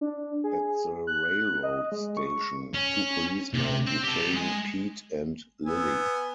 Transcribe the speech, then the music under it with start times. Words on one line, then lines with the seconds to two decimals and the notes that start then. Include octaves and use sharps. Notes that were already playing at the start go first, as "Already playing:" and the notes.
At the railroad station, two policemen detain Pete and Lily.
0.01 D4
0.44 G#4
1.07 F#6
1.63 D#5
1.92 G#3
2.17 C#6
2.74 C#4
3.54 C3
3.86 C4
4.03 G4 A4
4.34 G#3 G#5
5.66 B3 G#5 E6